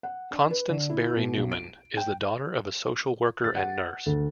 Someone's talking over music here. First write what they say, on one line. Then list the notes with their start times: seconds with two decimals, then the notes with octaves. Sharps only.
Constance Berry Newman is the daughter of a social worker and nurse.
0.03 F#5
0.31 D4
0.51 B4
0.70 D3
0.90 E4
1.17 B2
1.37 B1
1.52 D7
1.97 G5
3.44 A6
3.56 F#5
4.06 D2